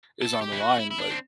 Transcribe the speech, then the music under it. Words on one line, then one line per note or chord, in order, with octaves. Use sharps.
is on the line, like,
A4
G4
E4
F#4
E4
E4
D4
C4